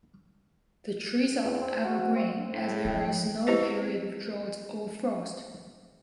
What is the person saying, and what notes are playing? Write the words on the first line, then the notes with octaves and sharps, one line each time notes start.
The trees are evergreen as there is no period of drought or frost.
E2
C4
F#4
C4
A2 C4
F3 G5
C4 E4 G4 B4 C5 D#5